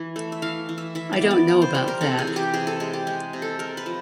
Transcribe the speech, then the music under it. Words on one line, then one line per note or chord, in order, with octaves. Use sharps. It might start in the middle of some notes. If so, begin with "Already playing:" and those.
I don't know about that.
Already playing: E3
A3
E5
E3 F5
E3
E5
E3 E5
D5
B3
D5
B3
C5
G3 C5
A#4
C3 A4
G#4
E3
G4
C3 G#4
A4
G#3 G#4
G4
G#3 G#4
C3
A4
G#3 A#4
B4
F3